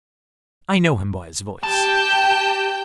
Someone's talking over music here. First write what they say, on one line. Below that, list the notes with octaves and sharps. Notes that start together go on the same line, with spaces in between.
I know him by his voice.'
G4 G5 A5 G6